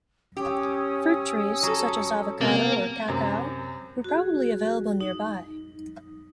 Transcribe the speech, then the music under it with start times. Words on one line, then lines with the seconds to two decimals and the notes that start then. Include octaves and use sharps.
Fruit trees, such as avocado or cacao, were probably available nearby.
0.37 C#4 G4 D#6 E6
1.63 F#3 A4
1.98 C#7
2.41 C3 B3 A#4 F5 A6
3.08 F#2 C3
4.04 F#4 G#4
5.01 D#4